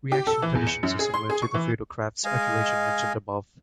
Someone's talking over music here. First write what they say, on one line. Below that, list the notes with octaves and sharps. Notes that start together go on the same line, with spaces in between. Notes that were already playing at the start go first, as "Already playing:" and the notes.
Reaction conditions are similar to the Friedel-Crafts alkylation mentioned above.
G4
A4
E3
E2
C#7
F#2
G#4
C6
G#4
C#6
E3
G#3 D#5 F5 G#5